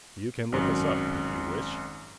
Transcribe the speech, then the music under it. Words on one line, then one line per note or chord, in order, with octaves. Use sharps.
You can look us up, if you wish.
G#1 F#2